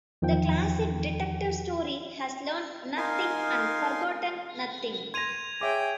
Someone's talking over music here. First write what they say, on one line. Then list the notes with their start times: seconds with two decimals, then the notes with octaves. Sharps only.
The classic detective story has learned nothing and forgotten nothing.
0.22 E2 D#3 F3 G5
2.97 D#4 A#4 F5 G#5 C6
5.14 C6 G#6 A#6 D#7 F7
5.61 G#4 C#5 E5 G5 D6